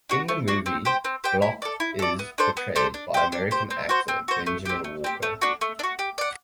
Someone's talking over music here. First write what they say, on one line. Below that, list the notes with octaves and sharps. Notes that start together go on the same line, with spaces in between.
In the movie, Block is portrayed by American actor Benjamin Walker.
D4 F#4
A3
D4 F#4
C4
G4 C5 G5
C4
G4 C5 G5
E4
A4 D5
E4
A4 D5
B3
D4 A4 C5
B3
D4 A4 C5
D4
G4 C5
D4
G4 C5
C4
F#4 C5
C4
F#4 C5
A3
C4 G4
A3
C4 G4
A3
D4 F#4
A3
D4
F#4
G4
D5 F#5